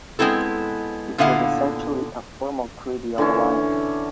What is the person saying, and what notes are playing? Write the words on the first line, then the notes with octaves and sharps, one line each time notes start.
It was essentially a formal treaty of alliance.
G#3 B3 C4 E4 A4
A#2 D3 B3 E4 F5 F#5
D3 E3 C#4